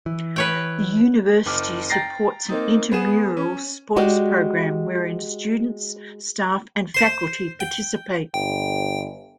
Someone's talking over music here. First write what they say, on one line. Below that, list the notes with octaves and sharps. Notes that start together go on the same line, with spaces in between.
The university supports an intramural sports program wherein students, staff, and faculty participate.
E3
B4 C#5 G5
F#1 D6 F6
G5 A#5 A6 A#6 C7
A#3 C4 D#4
B3 G#4 E7
C#4
G#3 F#4 G4 D5
C5 C6
G5
G1 G5